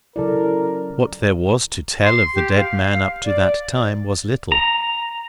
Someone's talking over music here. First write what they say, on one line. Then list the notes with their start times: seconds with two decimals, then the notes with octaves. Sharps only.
What there was to tell of the dead man, up to that time, was little.
0.16 C#3 F#3 E4 A4 A#4 D5
2.04 C6
2.34 G4
2.55 F5
3.25 D5
4.52 A#5